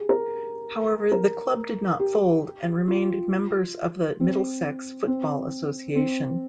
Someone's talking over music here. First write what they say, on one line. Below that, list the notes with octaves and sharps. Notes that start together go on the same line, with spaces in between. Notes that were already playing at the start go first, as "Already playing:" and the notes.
However, the club did not fold and remained members of the Middlesex Football Association.
Already playing: G4 G#4
A#4
A#4
G4
F4
C4
C4
C4